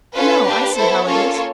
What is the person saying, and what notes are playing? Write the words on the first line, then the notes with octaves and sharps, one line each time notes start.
No; I see how it is.
C#4 F4 A4 B4
A#3 D4 G4
B3 E4 A4 C5
A#3 C#4 F4 A4 C#5